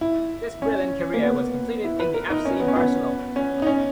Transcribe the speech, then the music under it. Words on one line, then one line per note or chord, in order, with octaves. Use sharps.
This brilliant career was completed in the FC Barcelona.
E4
C#4
A#3
B3
E4
B4
A#4
D#4
C#4
B3
C#4
B3
C#4
D#4
C#4